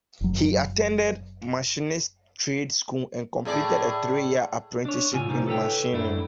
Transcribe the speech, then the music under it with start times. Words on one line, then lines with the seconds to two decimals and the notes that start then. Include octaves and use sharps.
He attended machinist trade school and completed a three-year apprenticeship in machining.
0.21 F#1 F#3
3.45 A2 G#4 D5
4.85 D4 C#5
5.12 A2 C#3 F4 G5 G#5
5.28 C2 D#4 F4 C5
5.47 A4 B4 C#5 G5
5.93 F#2 A3 D4 E4